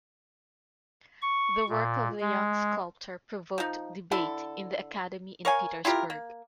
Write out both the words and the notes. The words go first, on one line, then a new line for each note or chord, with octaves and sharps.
The work of the young sculptor provoked debate in the Academy in Petersburg.
C#6
A#2
G#3
F3 D#4
D3 E4 A4
A#4 C#5 F5 G#5
E4 F4 G4 A#4
A#3